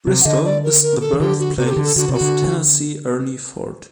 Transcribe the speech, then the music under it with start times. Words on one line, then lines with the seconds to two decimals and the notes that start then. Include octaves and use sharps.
Bristol is the birthplace of Tennessee Ernie Ford.
0.07 C3
0.21 F#5
0.25 D3 D#5
0.44 D5
0.64 A#4
0.82 A#4
1.01 A4
1.13 D#3
1.20 D3 G4
1.39 F#4
1.57 C3 F#4
1.66 A4
1.71 G4
1.76 D3
1.84 A4
1.96 D3 F#4
2.09 C3
2.14 F#4
2.21 D3